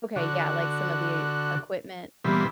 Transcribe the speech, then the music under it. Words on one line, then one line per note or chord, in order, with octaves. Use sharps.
Okay, yeah, like, some of the equipment?
D3 F#4
A#2 E3 G3 B3 C4